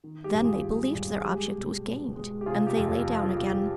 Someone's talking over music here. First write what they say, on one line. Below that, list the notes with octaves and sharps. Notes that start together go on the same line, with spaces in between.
Then they believed their object was gained, and they lay down again.
D#3
G4
G2
F4 G#4
G#3
G2
G#4
G#3 G4
B2
B2
G#3
G4
C3 F4 G#4
G4
F2
F4
F3
F4
F2 G4
G4